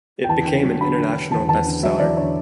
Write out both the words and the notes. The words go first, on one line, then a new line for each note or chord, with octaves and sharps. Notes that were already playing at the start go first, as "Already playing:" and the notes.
It became an international bestseller.
G5
E2 A5
D3 G5
F#3
D3 B5
D3
D3
E2 A5
E2 A5
D3
F#3 E5
E2 D5
D3 C#5